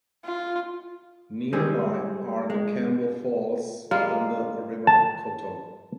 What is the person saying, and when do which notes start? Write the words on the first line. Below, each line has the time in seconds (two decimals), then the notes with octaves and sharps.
Nearby are the Kembe Falls on the River Kotto.
0.25 F4
1.53 G3 G#3 C4 G#4
2.50 G#3
3.91 G3 G#3 A#3 F4
4.87 A5